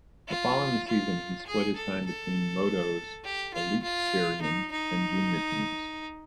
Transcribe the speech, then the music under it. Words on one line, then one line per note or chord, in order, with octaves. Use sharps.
The following season, he split his time between Modo's Elitserien and junior teams.
F4
F4
G#4
A4
A4
G4
F4
F4
D#4
D#4